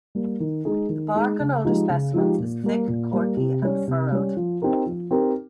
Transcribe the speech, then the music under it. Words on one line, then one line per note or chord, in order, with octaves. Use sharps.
The bark on older specimens is thick, corky and furrowed.
G3 A#3
D#3
G#3 D#4 G#4
D#3
G#3 D#4 G#4
C#3
F3 G#3 D#4 G4
C#3
F3 G#3 D#4 G4
A#2
G3 A#3
A#2
G3 A#3
C3
G3 C#4
C3
G3 C#4
F3
C4 D#4 G4 A#4
F3
C4 D#4 G4 A#4